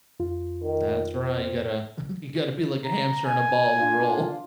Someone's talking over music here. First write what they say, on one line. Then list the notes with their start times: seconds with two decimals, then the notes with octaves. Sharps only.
That's right, you gotta you gotta be like a hamster and a ball and roll.
0.20 F2 F4
0.62 D#3
1.14 C4
2.84 A#5
3.25 G#5
3.78 D4 F4